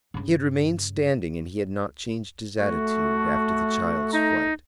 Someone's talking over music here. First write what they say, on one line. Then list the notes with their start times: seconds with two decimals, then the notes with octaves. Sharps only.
He had remained standing and had not changed his attitude after the child's flight.
0.14 G2 C#3
2.59 A3 F#4
4.13 D#4 A#5